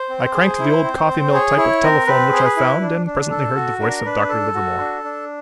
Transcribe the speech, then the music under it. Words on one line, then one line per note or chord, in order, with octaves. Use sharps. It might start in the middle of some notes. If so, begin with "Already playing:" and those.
I cranked the old coffee mill type of telephone which I found, and presently heard the voice of Dr. Livermore.
Already playing: C5
C4
G#4
E4
C4
C4
G#4 C#5
E4 C#5
C4 A#4
C4 B4
G#4
C5
B4
E4
D4
D4
A4
F#4
D4 A#4
D4 B4
A4
F#4
D4
D4